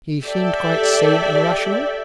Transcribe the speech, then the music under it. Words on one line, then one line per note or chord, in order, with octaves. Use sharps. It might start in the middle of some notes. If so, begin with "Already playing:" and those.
"He seemed quite sane and rational?"
G4 A4 D5 E5 G5